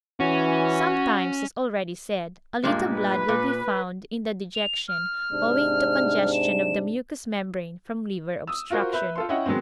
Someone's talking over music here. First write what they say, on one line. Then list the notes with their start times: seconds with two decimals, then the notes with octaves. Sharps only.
Sometimes, as already said, a little blood will be found in the dejection, owing to congestion of the mucous membrane from liver obstruction.
0.20 E3 C#4 F#4
2.64 G2 A#2 G#3
2.96 B4
3.28 A#2
4.55 F7
4.88 F6
5.31 G#2 C3 D4
6.33 E7
8.47 D#6 E6
8.70 F4 F#4 A#4 C5
8.93 B4 E5 B5 G6
9.15 F4 A4 C6
9.29 C#4 E4 C#5 D#5 F#5 G5
9.46 D#3 F#3 G#3 B3 C4